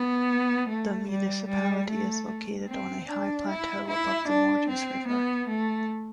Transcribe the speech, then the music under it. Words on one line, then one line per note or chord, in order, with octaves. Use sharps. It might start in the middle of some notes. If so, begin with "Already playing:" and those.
The municipality is located on a high plateau above the Morges river.
Already playing: B3
A3
G3
G3
A3
C4
D4
E4
E4
D4
C4
B3
A3